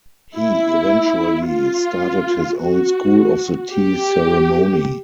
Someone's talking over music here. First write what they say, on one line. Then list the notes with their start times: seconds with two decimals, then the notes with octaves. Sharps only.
He eventually started his own school of the tea ceremony.
0.36 E4
1.47 F4
2.60 F#4
3.73 G4